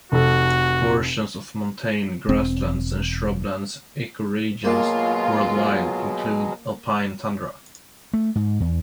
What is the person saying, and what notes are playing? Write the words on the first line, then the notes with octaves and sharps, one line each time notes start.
Portions of montane grasslands and shrublands ecoregions worldwide include alpine tundra.
F1 F#4 A4
E1 C4
B2 F#3 G#3 A#3 F4
A3
G#2
E2